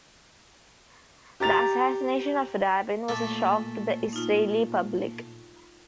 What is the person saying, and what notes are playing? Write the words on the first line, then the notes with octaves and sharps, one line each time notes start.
The assassination of Rabin was a shock to the Israeli public.
G4 A#5 A6 F7
A#2 A3 D6
D#4 F4